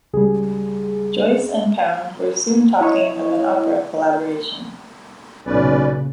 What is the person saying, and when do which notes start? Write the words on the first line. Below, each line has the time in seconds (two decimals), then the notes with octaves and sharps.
Joyce and Pound were soon talking of an opera collaboration.
0.13 C#2 G3 G#4
2.81 E4 C#5 D#5
5.46 B1 A#2 C#3 C#4 B4 D5